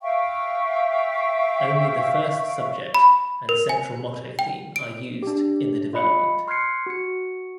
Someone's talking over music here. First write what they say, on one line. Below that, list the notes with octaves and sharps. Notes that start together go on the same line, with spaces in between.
Only the first subject and central motto theme are used in the development.
E5 F5 G5 C#6
B5
A#4
G#5
G5
D7
D4 G4
F4 D#5 B5 C#7
C6 F6 F#6 G#6 C7 C#7
F#4 C#7